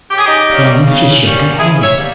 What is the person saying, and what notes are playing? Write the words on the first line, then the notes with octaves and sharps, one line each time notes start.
Then she shook her head.
C#3 G4
G#4
D#4 G4
G3 A#3 C#4
C#3
G3 A#3 C#4
C#3 E4 G#4
C#5 E5
G3 A#3